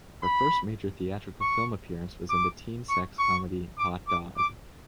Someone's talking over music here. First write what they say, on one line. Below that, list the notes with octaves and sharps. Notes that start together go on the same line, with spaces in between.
Her first major theatrical film appearance was in the teen sex comedy Hot Dog...
B5
C#6
D6
C#6
C#6
D6
D6
D6